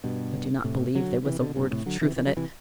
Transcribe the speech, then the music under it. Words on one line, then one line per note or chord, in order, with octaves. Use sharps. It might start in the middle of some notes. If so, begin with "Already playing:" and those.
I do not believe there was a word of truth in it.
G2 B2
A2 C3
D3 F#3
C3 E3
B2 D3
G2 B2
A2 C3
D3 F#3
C3 E3
E3
F#3
C3 E3